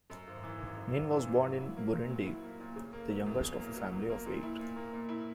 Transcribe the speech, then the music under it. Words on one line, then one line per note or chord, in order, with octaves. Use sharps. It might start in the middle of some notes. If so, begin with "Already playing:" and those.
Nin was born in Burundi, the youngest of a family of eight.
F#2
G#1
E3
G#1
F#2
G#1
E3
G#1
F#3
E4
A#3
A#2
F#3
E4
A#3
A#2
C#3
A#3
F#3
E2
C#3
A#3
F#3
E2
A#3
A#2
E4
A#2
A#3
A#2
E4